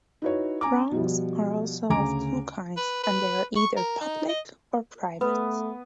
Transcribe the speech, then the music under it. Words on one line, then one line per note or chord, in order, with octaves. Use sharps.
Wrongs are also of two kinds and they are either public or private.
D#4 E4 F#4 B4 C#5
C#4 G#5 A#5 D6
B2 F3 G3
D2 C#3 G#5 A#5 D6 D7
B4
B4
C#6
A#4
D#4
D#5
A3 B3 B4